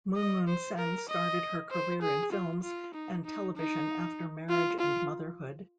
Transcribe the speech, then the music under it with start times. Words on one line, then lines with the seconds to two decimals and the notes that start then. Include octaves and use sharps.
Moon Moon Sen started her career in films and television after marriage and motherhood.
0.16 D#5
0.47 C5
0.77 A#4
1.09 D#5
1.71 C5
2.02 G#4
2.32 F4
2.63 F4
2.94 D#4
3.25 D#4
3.56 D#4
4.49 F4
4.79 F4